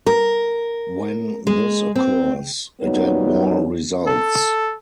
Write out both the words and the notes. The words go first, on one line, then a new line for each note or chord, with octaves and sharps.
When this occurs, a dead ball results.
A#4
G#3
C4
A#2 F#3 G3 B3 D#4 C#5
A4